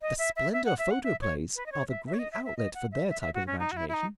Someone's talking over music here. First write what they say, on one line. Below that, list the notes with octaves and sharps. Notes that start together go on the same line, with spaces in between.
The Splendor Photoplays are the great outlet for their type of imagination.
D#5
E5
E5
E5
F#5
E5
F#5
E5
C#5
B4
D#5
C#5
E5
E5
C#5
D#5
E5
E5
D#5
F#5
E5
E5
E5
F#4
C#4
D#4
F#4
E4
E4
D#4